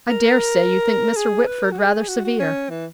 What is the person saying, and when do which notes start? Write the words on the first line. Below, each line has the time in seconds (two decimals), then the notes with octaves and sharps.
I dare say you think Mr. Whitford rather severe.
0.09 A#4
0.24 A#4
1.17 G#4
1.47 B4
1.63 A#4
1.72 F#4
1.78 G#4
2.08 F#4
2.25 F#4
2.40 C#4
2.70 E3